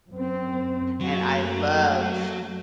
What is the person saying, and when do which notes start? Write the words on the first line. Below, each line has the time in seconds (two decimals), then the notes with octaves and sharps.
and I love
0.11 F#2 C4
1.01 F#2 F#3 A3 A#3